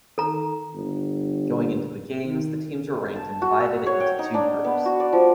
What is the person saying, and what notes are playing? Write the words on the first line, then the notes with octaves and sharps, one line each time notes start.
Going into the games, the teams were ranked and divided into two groups.
D#3 A4 A#5
G1
D#3
A5
F#4
E6
C#5
G5
D#4
D4
B3
F#4
D5
F3